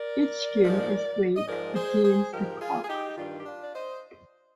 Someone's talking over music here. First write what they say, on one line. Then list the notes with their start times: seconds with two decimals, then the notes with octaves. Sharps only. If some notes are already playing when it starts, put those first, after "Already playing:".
Each game is played against the clock.
Already playing: A#4 D5
0.63 G#2 F3 G#3
1.36 D#5
1.47 G#2 F3 G#3 A#4 D5
1.75 G#4 C5
2.04 G#4 C5
2.31 G#2 F3 G#3 G4 A#4
2.60 F4 G#4
2.83 G#4
2.88 D#4 G4
3.07 G4
3.16 G2 D#3 G3 D4 F4
3.38 G4
3.45 D4 F4
3.62 D5
3.74 C5 D#5